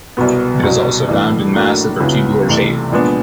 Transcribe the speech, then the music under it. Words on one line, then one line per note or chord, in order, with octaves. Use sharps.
It is also found in massive or tubular shape.
C2 B2 F#3 B3
C2 B2 F#3
G2 E3 A3
A2 F#3 A#3 D4 F#4
C#2 C#3 F#3 B3 E4
C2 C3 E3 A3
A#2 F3 G#3 B3 D4